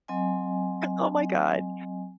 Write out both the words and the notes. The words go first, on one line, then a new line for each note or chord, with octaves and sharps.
Oh my god.
F#3 C4 D#5 G#5